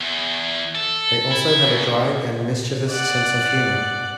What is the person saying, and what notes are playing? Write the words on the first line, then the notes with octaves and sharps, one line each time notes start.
They also have a dry and mischievous sense of humour.
E2
A4
E4
F#2
D5 F#5